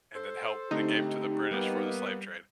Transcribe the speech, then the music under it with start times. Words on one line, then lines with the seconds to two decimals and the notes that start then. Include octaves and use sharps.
and then helped and gave 'em to the British for the slave trade,
0.14 A4 C5
0.71 D3 A3 C4 D#4 G4
1.51 G3 A#3 B3